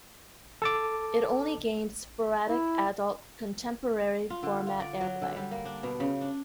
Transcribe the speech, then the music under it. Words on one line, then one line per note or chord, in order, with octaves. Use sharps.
It only gained sporadic Adult Contemporary format airplay.
A4 A5 D6
E4
F4
D3
F4
D5
F#3
D3
G3
A#3
D4
B2
C#3
D4